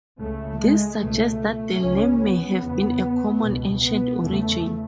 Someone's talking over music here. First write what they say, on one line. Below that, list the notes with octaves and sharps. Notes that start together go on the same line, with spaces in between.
This suggests that the name may have a common ancient origin.
C#2 C#3 A3
G#3
C#2 B2 A3
C#2 C#3 C#4
B3
E2 C#3
C#2 B2
B3
E2 C#3 A3